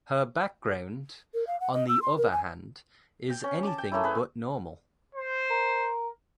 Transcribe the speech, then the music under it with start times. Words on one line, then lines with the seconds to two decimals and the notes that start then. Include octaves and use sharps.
Her background, on the other hand, is anything but normal.
1.34 A#4
1.47 F5
1.60 F#5
1.73 D#5
1.88 E6
2.02 C6
2.18 A#4
2.32 G#5
3.30 G5
3.44 C#4
3.63 A5 D6
3.78 G5
3.92 A3 A#3 C#4 E4
4.04 G#4 B4
5.15 C5
5.50 A#4